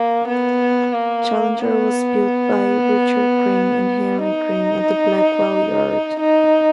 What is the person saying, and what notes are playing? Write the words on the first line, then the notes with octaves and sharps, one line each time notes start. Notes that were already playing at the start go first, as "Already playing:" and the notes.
Challenger was built by Richard Green and Henry Green at the Blackwell Yard.
Already playing: A#3
B3
A#3
B3
D#4
D#4